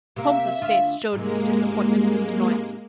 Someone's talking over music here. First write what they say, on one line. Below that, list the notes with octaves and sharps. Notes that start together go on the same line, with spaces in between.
Holmes's face showed his disappointment and annoyance.
C3 A#3 E5
D2 F4
G#2 C3 G#3 A#3